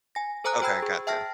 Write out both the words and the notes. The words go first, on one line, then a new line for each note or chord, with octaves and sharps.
Okay, gotcha.
G#5 A#6
A4 C5 G#5 A#5 D#6 F#6
F#4 C5 G5 B5 E6 G#6
G#4
E5 G5 A5 F6 A#6